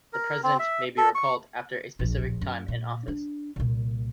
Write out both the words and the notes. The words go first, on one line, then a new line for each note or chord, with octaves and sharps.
The president may be recalled after a specific time in office.
A#4
C4
E5
A4
C#6
D1 A#1
F#2
A#2
D4
C2 A#2